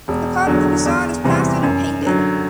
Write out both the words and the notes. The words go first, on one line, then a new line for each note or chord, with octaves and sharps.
The part of the facade is plastered and painted.
E1
E2 D3 F#3
E2
C3 E3 G3 C4
F#2
D3
F#3